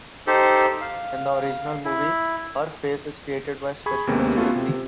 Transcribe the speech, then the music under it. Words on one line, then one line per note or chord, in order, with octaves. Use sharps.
In the original movie, her face is created by a special magical cream.
D#4 G4 A4 C5
F5
E4
G#4 B5 C#6 G#6
D#2 C3 G#3 A#3 B3 C#4
A3 B3 C#4 F4 F#4 A4
C3